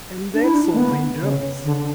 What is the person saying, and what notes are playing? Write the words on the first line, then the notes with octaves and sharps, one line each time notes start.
And that's all he does!
D4
E4
D4
A3
B3
C#3
D3